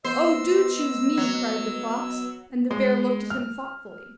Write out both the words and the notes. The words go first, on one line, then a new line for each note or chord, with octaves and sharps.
'Oh, do choose me,' cried the fox, and the bear looked at him thoughtfully.
B3 C5 D#5 E6
F#3
G#3
F6